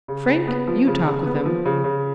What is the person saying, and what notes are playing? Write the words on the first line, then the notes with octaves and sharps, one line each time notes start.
Frank, you talk with him.
C#3
C#3
B3
F3
C#3
C#3
B3
F3
C#3
C#3